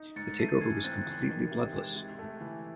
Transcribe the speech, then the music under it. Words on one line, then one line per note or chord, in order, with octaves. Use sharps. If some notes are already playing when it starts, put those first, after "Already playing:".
The takeover was completely bloodless.
Already playing: D#4
G#2 A6 C#7
A3 C7 D#7
E3 G#6 C7
C4 F#6 A6
E2
D#3
C3
G#3
C3
A3
E3